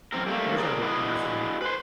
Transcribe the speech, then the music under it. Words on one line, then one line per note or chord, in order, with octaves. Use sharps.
it's not nothing,
F#2 C4 A#4
G3 A3 A#3
G#4 A#4 D5
D4 E4 F#4 G#4 B4 D#5
B4 C5